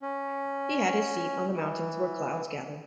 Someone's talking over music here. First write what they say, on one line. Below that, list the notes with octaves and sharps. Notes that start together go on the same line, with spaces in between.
He had his seat on the mountains where clouds gather.
C#4
E3